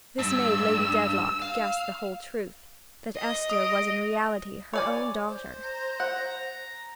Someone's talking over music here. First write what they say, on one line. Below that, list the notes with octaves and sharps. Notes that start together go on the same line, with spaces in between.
This made Lady Dedlock guess the whole truth--that Esther was in reality her own daughter.
G2 E6
F5
D#5
D#6 D7
C#5 D5 G#5
C5
A#5
F#5